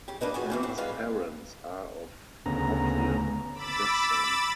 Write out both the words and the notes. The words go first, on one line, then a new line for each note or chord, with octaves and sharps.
Tan's parents are of Hokkien descent.
C#3 G4
A#3 D4 B4 D#5
F3 F#4 G#4
E3 A#3 C4
A2 C4
G3 G#3 F4 B4 F5 G#5
D2 C#3 B3 A#5
B5 D6 E6 A6